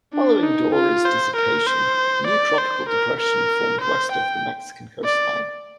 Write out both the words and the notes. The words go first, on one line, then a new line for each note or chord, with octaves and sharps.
Following Dora's dissipation, a new tropical depression formed west of the Mexican coastline.
D4
D#4
F4
C5
A#4
C5
D5
C5
A#4
A#4
C5
G5
D5